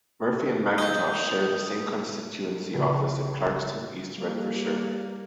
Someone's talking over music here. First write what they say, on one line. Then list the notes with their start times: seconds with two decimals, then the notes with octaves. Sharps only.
Murphy and Macintosh share the same constituency office in Clarkston, East Renfrewshire.
0.78 D#4 D#6 G6
2.74 A#1 C#3 F#4 B4
4.17 G3 A#3